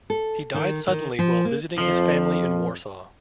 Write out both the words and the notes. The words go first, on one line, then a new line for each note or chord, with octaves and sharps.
He died suddenly while visiting his family in Warsaw.
A4
D#3
D#3
F3
A#3
F2 F3